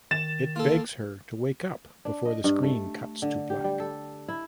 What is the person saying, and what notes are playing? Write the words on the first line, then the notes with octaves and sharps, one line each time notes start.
It begs her to wake up before the screen cuts to black.
D#3 A6 E7
A#3 F4 A4
D4
D#5
G2
A3
D3
G4
G3
A4
E4